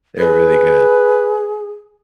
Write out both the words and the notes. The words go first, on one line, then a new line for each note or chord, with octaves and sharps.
They're really good,
G#4 B4